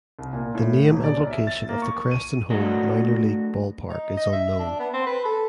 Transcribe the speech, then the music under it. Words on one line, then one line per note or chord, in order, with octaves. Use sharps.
The name and location of the Creston home minor league ballpark is unknown.
C2
A#2
A2
D#1
D5
B1
E5
A6
A#3
C#6
D#7
F#3 A3 D4 F#4 A4 D#5
D#4
D#5
E5
D4
B3
C4
B4
A4